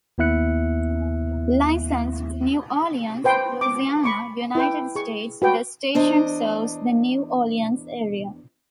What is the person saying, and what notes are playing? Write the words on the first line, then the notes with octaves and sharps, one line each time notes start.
Licensed to New Orleans, Louisiana, United States, the station serves the New Orleans area.
D#2 B3 E4 E5 F#6 C#7
B4 C5 G5 C6
D6
B5 C#6 D6
E4 B4 G5
G#4 C#6
F#4 B4 G5
E2 D4 C5 D#5